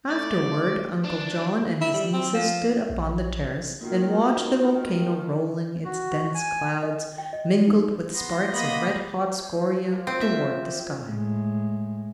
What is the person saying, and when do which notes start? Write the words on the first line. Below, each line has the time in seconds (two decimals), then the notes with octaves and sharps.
Afterward Uncle John and his nieces stood upon the terrace and watched the volcano rolling its dense clouds, mingled with sparks of red-hot scoria, toward the sky.
0.11 A3 D5
1.04 D4
1.81 E4
1.94 G3
2.13 C4
2.34 F3
2.90 A#1
3.81 D#3 A#3 F4 F#4 A#4
5.85 F#4
6.35 G#5
6.83 D#5
7.06 G5
7.18 G5
7.33 D#5
7.54 D5
7.68 D#4
8.15 B3 C6 A#6
8.53 A#3 B3 D#5 B5
9.39 D#4 G#4
9.90 F3 A#3
10.07 C4
10.21 F3 D#5 E5
11.02 A2 G#3